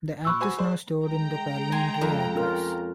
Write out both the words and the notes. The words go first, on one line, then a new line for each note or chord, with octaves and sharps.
The Act is now stored in the Parliamentary Archives.
A#2 B5 C#6 E6 F#6
F#4 C5 G#5
G#4 C5 D5
G#3 G5 A#5
G#5 C6
F2
C#4 F4 A#4